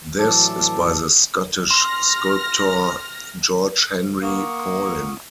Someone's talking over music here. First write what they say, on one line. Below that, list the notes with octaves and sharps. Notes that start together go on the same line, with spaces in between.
This is by the Scottish sculptor George Henry Paulin.
A2 E3 F#3 D4 A4
C6 F6 A#6
A#3 F#5 C#6 D#6